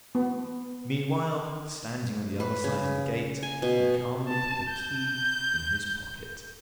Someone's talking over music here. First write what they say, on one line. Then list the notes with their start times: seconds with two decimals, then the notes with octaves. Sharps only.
Meanwhile, standing on the other side of the gate, he calmly put the key in his pocket.
0.15 B3
2.40 B4
2.64 C#3
3.43 G#5
3.62 B2
4.28 A5
4.69 G6